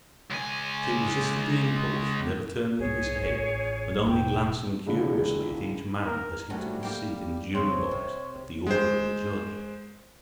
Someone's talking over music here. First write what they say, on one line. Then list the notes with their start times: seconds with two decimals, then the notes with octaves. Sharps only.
But he resisted the impulse, never turning his head, and only glancing curiously at each man as he took his seat in the jury box at the order of the judge.
0.31 C#2 G#5
2.79 C2 G2 G#4 C#5
3.22 A1 F4
4.06 E1 G5
4.86 E1 C#2 D3 E3
6.06 A#4
6.50 F#3 G3 A3 C#4
6.83 A#3 G4
7.54 F2 C#3 C4 C#5
7.91 C3
8.66 G#3 C5